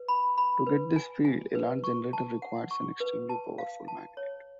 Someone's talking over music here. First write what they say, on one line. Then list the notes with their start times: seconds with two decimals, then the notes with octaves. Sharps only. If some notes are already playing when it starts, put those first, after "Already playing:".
To get this field, a large generator requires an extremely powerful magnet.
Already playing: B4
0.08 B5
0.38 B5
0.67 B4
0.96 G#5
1.25 G#5
1.55 B4
1.84 C#6
2.13 A5
2.42 F#5
2.71 C#6
3.00 B4
3.29 A5
3.58 F5
3.88 A5
4.17 C#5